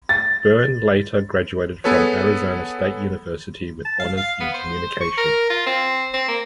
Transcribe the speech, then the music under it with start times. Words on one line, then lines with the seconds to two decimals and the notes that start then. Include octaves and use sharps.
Byrne later graduated from Arizona State University with Honors in Communication.
0.09 A6
1.84 B3 G#4 A4 B4 C#5
3.85 A5
4.00 F5
4.17 F5
4.40 B3
4.54 C5
5.01 C#6
5.18 A#4
5.50 F4
5.66 C4
6.13 C4
6.28 A#3